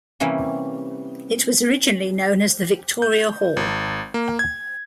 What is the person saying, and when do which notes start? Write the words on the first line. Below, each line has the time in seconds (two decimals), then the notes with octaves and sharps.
It was originally known as the Victoria Hall.
0.20 C3 E3 G3 A#3 C#4
3.02 G6
3.57 G#1
4.14 A#3
4.39 G#6